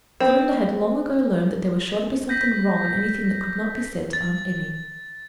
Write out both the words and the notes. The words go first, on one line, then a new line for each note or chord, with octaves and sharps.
Clorinda had long ago learned that there was sure to be something wrong in anything that could not be said to Aunt Emmy.
C4
G6 A#6 B6
A6